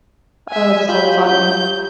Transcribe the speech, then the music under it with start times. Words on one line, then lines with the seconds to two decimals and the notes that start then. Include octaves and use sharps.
Oh, it's so funny.
0.49 E5 G#5
0.89 F4 G4 B5 G6
1.25 G6